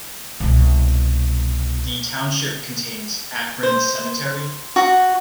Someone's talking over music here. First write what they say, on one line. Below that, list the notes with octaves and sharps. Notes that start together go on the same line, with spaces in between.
The township contains Akron Cemetery.
C2 B2
C5
F#4